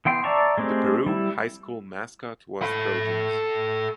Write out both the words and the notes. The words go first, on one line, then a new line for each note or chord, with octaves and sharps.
The Peru High School mascot was Trojans.
E3 B3 G5 C6
D5 E5 A5 A#5 C#6
G#3 A3 C4 G4
G3 E4
A4 B5